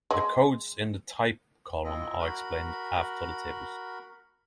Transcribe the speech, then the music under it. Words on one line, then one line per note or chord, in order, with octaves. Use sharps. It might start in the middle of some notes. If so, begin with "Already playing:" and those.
The codes in the "type" column are explained after the tables.
G#3
C4 E4 F4 D#5
F#4 A#4 B5